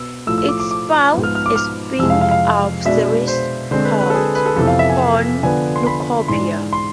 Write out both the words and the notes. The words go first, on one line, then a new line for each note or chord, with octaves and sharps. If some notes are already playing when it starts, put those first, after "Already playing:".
It spawned a spin-off series called "Pornucopia".
Already playing: B2 B3 E6
A2 F3 A3 E6
E6
D6
D6
D6
G#2 F3 B3
F6
F6
D6
F6
F2 C3 E3 G#3 E6
F5
F5
F5
B2 G#3 D4 E5
C5
D3 G#3 C4 C5
B4
B4
A4
G#4
B4
A4
F2 C3 E3 B3 A4
F5
E5
G#5
D3 F3 B3 G#5
C6
B5
G#2 E3 G#3 D4 C6
C6